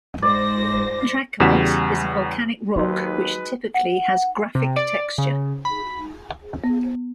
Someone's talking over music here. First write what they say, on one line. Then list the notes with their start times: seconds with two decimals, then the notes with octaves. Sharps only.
Trachyte is a volcanic rock which typically has graphic texture.
0.22 G#2 C5 D5 A#6
1.40 E2 C#3 G3 F#4 B6 E7
2.76 D#2 F#3 G#3 D#4 F#4 B4
3.74 F#5
4.55 C3
4.76 D5
5.18 C#3
5.65 B5
6.64 B3